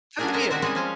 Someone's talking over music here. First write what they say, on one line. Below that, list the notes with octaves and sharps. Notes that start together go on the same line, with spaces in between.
How 'bout you?
F#3 A3 C#4 D4 G#4 A#4
A#2 G#3 A4 A#4 E5 A#5
C3 D#3 G#3 C4 F#4 E5
G3 G#3 C4 C#4 D#4 E4
F3 C#4 F5